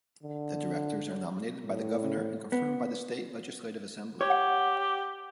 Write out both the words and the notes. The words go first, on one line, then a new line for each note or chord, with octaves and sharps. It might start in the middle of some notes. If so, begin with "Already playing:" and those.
The directors are nominated by the Governor and confirmed by the state legislative assembly.
D3
A2
B3
G4 C#5